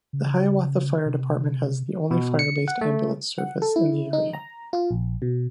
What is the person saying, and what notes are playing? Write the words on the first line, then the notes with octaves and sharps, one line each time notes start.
The Hiawatha Fire Department has the only fire-based ambulance service in the area.
C#3
C3
B2
C#7
F#5
A3
F#5
A4
E4
D#4
A#5
F4
A#1
B2